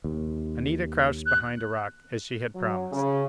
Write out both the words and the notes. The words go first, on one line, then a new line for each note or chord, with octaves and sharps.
Anita crouched behind a rock, as she had promised.
D#2
F#6
F#3
C#3